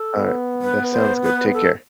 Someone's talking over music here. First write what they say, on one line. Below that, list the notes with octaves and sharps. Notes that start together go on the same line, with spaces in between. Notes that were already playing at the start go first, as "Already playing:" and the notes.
Alright. That sounds good. Take care.
Already playing: A4
B3
B4
C5
B4
A4